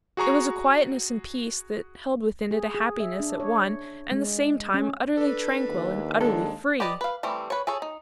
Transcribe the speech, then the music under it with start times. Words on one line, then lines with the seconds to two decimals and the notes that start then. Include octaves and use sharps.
It was a quietness and peace that held within it a happiness at one and the same time utterly tranquil and utterly free.
0.17 F#4 G#4 A#5 C#6
2.51 G#4
2.75 G#4
3.00 E5
3.20 D4
3.40 C#5
4.12 G#3
4.74 C#4
5.17 D4 A4 B4
5.70 D#2
6.21 G#3 D4 A4
6.80 G4 B4 D5 D#5
7.01 B4 F5
7.23 E3 G3 A3 C4
7.50 B4 C#5
7.67 G#4 A4 C#5
7.82 D#4